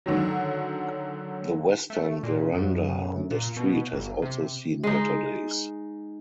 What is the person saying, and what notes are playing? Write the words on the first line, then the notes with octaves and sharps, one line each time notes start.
The western veranda on the street has also seen better days.
D3 D#3 F#3
A3
A#2
C#2
F#2
A#2
B2
G1
C3
G#3 D#4